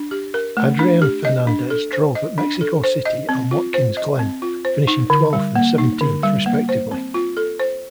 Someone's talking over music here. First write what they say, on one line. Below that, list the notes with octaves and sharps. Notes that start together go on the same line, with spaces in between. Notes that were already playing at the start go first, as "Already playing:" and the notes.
Adrian Fernandez drove at Mexico City and Watkins Glen, finishing twelfth and seventeenth, respectively.
Already playing: D4
G4
A#4
A3
D4
G4
D#5
D4
A4
C5
D#5
D4
A4
C5
D#5
C4
F4
C5
D#5
C4
F4
C5
D#4
D3
G3
A#3
D#4
D3
G3
A#3
C5
C4
F4
A4
C5